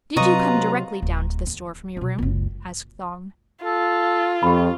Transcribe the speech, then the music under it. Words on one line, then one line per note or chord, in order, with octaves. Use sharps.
"Did you come directly down to the store from your room?" asked Thong.
C3 F#3 F4 B4 D#5 A#5 C#6
D1
D#2
B2 F#3
F#1 C#2
F4 A4
F2 G4 B5